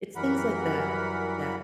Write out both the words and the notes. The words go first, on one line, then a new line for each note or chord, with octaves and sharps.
It's things like that that
F#2 E3 G3 A#4 F#5 B5